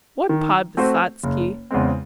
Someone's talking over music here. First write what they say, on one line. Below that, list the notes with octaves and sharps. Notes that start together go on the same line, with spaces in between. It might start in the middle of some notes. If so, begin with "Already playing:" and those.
"What Podvysotsky?"
D#3
A3 C4 F#4 C5
F#1
E2 C#3 G#3 C4